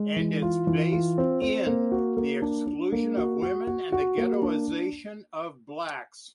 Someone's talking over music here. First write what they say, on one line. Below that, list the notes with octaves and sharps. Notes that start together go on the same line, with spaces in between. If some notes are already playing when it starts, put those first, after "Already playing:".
And it's based "in" the exclusion of women and the ghettoization of blacks.
Already playing: G#3
E3
F4
E3
F4
C4
C4
A#3
F#4
A#3
D4
D4
A#3
F#4
F#4
F#4
F#4
A#3
D4